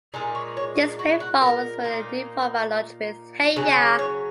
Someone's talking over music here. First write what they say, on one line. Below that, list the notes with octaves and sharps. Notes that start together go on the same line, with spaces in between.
This proved false when the new format launched with Hey Ya!
A#2 G#3 D#4 G#4
C#5
C#5
F#4
F#4
A#4
A#2 A#3 D#4
C#3 F#3 C#4 G#4
C#5